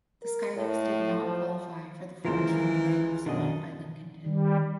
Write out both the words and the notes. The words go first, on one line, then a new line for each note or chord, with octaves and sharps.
The Skylarks did not qualify for the four–team playoffs won by Lincolnton.
A#4
A2
F3
C#2 D#3 E3 F4 A#4 C5
F#2 B2 D3 D#3 D4 D#5
D#3 G3